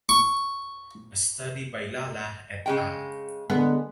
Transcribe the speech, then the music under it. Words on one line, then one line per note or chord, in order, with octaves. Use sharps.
A study by Lala "et al".
C#6
C#3 G#3 G5
D3 G#3 B3